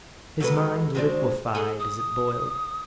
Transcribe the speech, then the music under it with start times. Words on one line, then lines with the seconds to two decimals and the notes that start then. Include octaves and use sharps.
His mind liquefied as it boiled.
0.40 F#3 G#3 A4 B4
0.95 G#3 C4 D4 F#4
1.55 G#4 A4
1.79 D#6